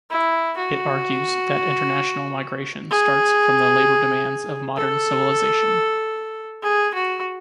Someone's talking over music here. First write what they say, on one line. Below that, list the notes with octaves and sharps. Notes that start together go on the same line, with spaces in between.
It argues that international migration starts from the labour demands of modern civilization.
E4
F#4
G#4
A4
G#4
F#4